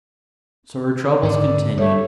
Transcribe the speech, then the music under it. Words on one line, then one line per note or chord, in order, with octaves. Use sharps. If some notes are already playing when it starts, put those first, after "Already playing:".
So her troubles continued.
G#2 D3 D5
G3 A3 C#5